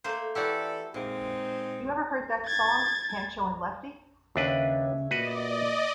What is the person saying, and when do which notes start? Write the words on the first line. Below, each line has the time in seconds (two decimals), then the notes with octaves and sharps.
You ever heard that song Pancho and Lefty?
0.04 A3 A#3 C5
0.35 E3 E4 F#4 G4 A4 D5
0.94 A#2 G#3 C4 D#4
2.46 G#6 A6
4.36 D#2 C#3 D4 B4 C#5 E5
5.11 A#2 F#4 B4 D5 D#5